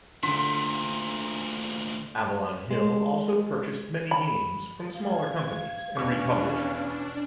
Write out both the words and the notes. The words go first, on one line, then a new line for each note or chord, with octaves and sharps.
Avalon Hill also purchased many games from smaller companies and republished them.
D2 A#2 D3 C6 B6
G#3
B5
F5 G#6
E2 B2 C#4 D4 C#6